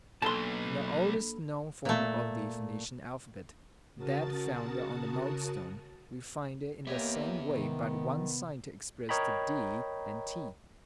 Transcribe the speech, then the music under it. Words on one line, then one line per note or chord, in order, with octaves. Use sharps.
In the oldest known form of the Phoenician alphabet, that found on the Moab stone, we find in the same way but one sign to express the d and t.
B1 A#3 D4 A4 B4 D#5 A5 C6
A#2 A3
C#3 F#4 A#4 A5 D#6 A6
A#3 B3 G4 C#5 D#5 E5
C3 D#3
A#4 C#5 D#5 G5 A#5 B5